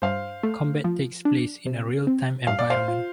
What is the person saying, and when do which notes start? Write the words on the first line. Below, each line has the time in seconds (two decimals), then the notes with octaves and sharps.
Combat takes place in a real-time environment.
0.02 G2 C5 F5
0.43 A3
0.84 F3
1.25 D4
1.66 C3
2.07 C4
2.47 G2 F5
2.59 D5
2.70 C5 F5
2.88 F4